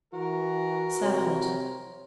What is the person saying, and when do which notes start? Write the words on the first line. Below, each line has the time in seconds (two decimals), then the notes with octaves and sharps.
Serve hot.
0.13 E3 F#4 A#4
1.02 C3 C#5 C6